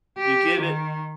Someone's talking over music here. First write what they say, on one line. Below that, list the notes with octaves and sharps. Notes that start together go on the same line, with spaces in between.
you give it,
G4
D#3